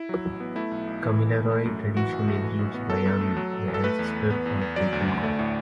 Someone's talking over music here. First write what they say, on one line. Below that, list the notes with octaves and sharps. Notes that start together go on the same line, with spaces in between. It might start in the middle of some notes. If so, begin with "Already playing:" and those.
Kamilaroi tradition includes Baiame, the ancestor or patron god.
Already playing: E4
F#3
A1
B3
A3 E4
B1
B1
E3
A1
A3
A3
F#2
F#2
E3 F#4
A1
A3
E3
A1
B3
F#3 A4
F#2
A3
F#3
A1
A1
A4
A3 B4
E2
E2
B3
E2
E2
F#3 D5
D2
D2
A3
A2